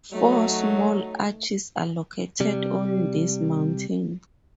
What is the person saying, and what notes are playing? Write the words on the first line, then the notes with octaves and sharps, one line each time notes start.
Four small arches are located on this mountain.
F#3 A3 D#4
C3 G3